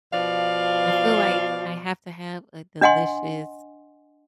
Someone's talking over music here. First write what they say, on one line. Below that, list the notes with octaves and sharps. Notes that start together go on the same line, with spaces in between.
I feel like I have to have a delicious
B2 F3 D5 F5
D4 D#5 F#5 G#5 C6